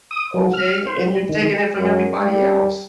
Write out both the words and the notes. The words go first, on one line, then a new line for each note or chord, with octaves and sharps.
Okay, and you're taking it from everybody else.
D#6
F#3
F6
C5
G3
D#3
F#2
G3